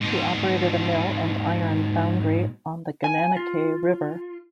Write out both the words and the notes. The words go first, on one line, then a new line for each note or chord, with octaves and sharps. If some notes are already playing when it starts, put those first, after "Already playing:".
He operated a mill and iron foundry on the Gananoque River.
G#2 B2
G#5
F4